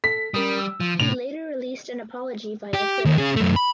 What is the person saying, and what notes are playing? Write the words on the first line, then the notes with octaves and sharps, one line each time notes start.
He later released an apology via Twitter.
A4 B6
G3 C#4 A#4 D#6
E6
F3
A2 C3 F7
G4
D#2
C#4 G#4
F#2 A3
B5